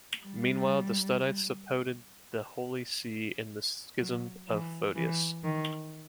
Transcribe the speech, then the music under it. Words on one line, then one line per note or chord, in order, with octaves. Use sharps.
Meanwhile, the Studites suppoted the Holy See in the scisim of Photius.
G3
F#3
E3
E3
D#3